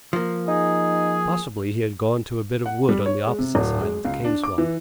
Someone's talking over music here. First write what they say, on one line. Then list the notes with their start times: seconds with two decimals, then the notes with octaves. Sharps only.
Possibly he had gone to a bit of wood on the opposite side of the cane-swamp.
0.13 F3 A#3
0.48 D#4 G#4
2.66 F#5
2.89 G3
3.06 C#5
3.26 G#3
3.39 C3
3.55 D1
3.81 G#3
4.05 C#2
4.25 D4
4.44 D6
4.58 E3